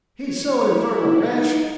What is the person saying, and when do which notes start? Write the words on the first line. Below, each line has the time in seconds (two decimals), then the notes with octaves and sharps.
He's so infernal rash.
0.19 C#5
0.63 E4
1.08 D#4